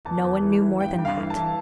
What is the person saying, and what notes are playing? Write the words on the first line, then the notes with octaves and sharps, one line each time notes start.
No one knew more than that.
E2 A5
E2
E3
E3
G2 G5
G2
F5
E3
A5
E3